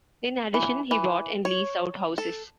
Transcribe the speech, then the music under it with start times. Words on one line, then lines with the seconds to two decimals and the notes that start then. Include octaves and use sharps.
In addition, he bought and leased out houses.
0.54 E3
0.91 E3
1.45 C#5
2.18 A4